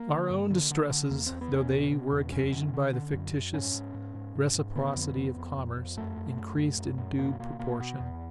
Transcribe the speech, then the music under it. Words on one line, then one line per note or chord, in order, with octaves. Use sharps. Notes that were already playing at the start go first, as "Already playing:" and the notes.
Our own distresses, though they were occasioned by the fictitious reciprocity of commerce, encreased in due proportion.
Already playing: A#3
D3
G2
D3
D3
D3
E2 A#3
E2 C4
B3
E2
C#4
B2
B2
E2
F#2 C#4
D3
D3
D3
F#2
F#2
G#2 C#4
G#2
G#2
G#2
G#2
G#2
D3 B3
F2
F2
F2
F2
F2
F#2 A3
F#2
F#2
F#2
F#2
F#2
B2 A#3
B2 A#3
B2 A#3
B2 B3
E2